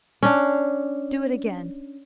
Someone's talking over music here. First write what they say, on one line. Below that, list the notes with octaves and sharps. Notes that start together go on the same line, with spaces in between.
Do it again!
C#4 D4